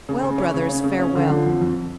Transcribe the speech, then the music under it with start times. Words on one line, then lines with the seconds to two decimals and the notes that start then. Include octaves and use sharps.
'Well, brothers, farewell!
0.09 C#3
0.23 C#3
0.38 C#4
0.54 C#3
0.69 C#4
0.84 C#3
0.99 C#4
1.15 D3
1.30 F3
1.46 F2
1.61 F2